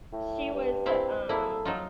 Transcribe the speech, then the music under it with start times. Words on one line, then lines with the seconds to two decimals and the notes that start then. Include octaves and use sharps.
she was, uh, um
0.12 A2
0.53 G2
0.86 C4 E4 F5
1.29 A#3 E4 G#4 A4
1.65 F#3 D#4 F4